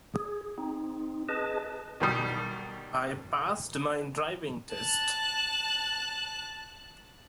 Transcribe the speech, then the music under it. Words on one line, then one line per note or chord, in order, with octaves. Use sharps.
I passed my driving test!.
G#4
C4 D#4
G#4 B4 D#5 A5
B1 D#3 G3 D#6
A5 F#6